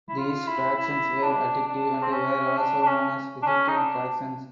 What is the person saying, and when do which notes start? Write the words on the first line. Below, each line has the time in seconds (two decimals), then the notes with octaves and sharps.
These fractions were additive and were also known as Egyptian fractions.
0.09 E4
0.18 F4
0.48 E4
0.78 E4
1.23 D4
1.67 D4
2.02 C4
2.12 C#4
2.57 D4
2.82 D4
2.87 C#4
3.42 D4
3.46 C#4
3.68 D#4
3.77 D4